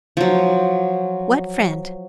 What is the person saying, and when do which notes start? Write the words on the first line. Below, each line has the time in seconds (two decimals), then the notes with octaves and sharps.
"What friend?"
0.17 F3 F#3